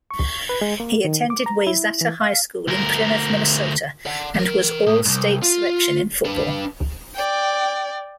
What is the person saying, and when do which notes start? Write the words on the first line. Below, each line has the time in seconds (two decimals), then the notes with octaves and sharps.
He attended Wayzata High School in Plymouth, Minnesota, and was all-state selection in football.
0.11 C#6
0.49 B4
0.62 G#3
0.80 A#3
1.05 D#3
1.30 D6
1.46 A#5
1.67 E4
2.01 E3
2.21 F5
2.68 D2 A#4
4.06 D5 F#5
4.34 E3 A#4
4.86 A2
5.05 C2 G#2
5.42 F4
6.25 D4 B4
7.14 D5 G5